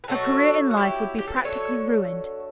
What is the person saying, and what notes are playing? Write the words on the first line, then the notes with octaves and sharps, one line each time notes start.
Her career in life would be practically ruined.
B4
B2 F#3 A3 F#4 A4
F#4
E4 G4
G4
A4
B4
D3 F#3 A3 A4 C#5